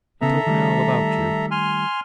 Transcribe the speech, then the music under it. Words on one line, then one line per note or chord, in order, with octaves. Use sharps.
He told me all about you....
C#3 B3 A4 E5 A#5
D#3 G3 A3
G#5 C6 F6